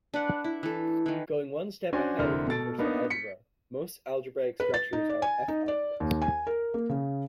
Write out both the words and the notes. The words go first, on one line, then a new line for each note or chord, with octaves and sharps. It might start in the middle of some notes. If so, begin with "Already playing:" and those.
Going one step ahead of universal algebra, most algebraic structures are F-algebras.
D4 B4 F#5
E4
E3 A4
D#3 E3
C#4 D4 F#4 C5 D5 G#5
F1 D3 C4 E4 A#4 F6
B2 A4 A6 D7
A#3 B3 D4 D#4
B6 C#7
B4
A6
D#4
D5
G#5
D#4
D5
D#2
G#5
A#4
A#3
C#3